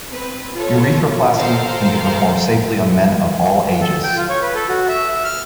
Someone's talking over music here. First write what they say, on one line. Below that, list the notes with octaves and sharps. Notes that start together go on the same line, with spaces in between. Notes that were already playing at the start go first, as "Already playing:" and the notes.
Urethroplasty can be performed safely on men of all ages.
C4 B4
F4 A4 C#5
A4 A#4 C5 F5 G5 A#5
A4
G5
F4
C#5
B4
A4
F#4
E5
E5
F6